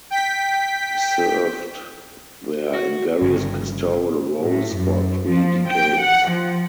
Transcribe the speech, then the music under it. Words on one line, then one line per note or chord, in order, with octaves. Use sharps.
He served there in various pastoral roles for three decades.
G5 B6
F#4
G1 G2 C#3
A2
F#2
F3
G5
F#5
F3